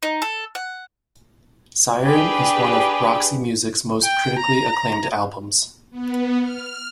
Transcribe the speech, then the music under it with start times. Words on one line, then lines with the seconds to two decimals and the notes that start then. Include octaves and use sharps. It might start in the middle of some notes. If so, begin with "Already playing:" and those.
"Siren" is one of Roxy Music's most critically acclaimed albums.
0.03 D#4
0.22 A4
0.55 F#5
2.02 D4 G4 G#4 B4
4.03 G5
4.39 A#5
5.91 B3
6.40 F6